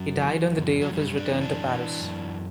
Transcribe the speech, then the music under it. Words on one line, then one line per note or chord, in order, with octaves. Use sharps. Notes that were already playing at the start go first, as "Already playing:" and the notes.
He died on the day of his return to Paris.
Already playing: F#2 F#3
E3
F#2
F#3
F#2 G3
D4
E3
D4
E3
F#2